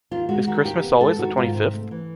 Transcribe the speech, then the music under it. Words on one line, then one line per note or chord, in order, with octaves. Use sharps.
Is Christmas always the twenty fifth?
D#2 F4
G#3 F#4
D#3 F#4
D#2 G4
B3
G#3 A4
D#3 F#4
G#2 F4
C3
A3
E3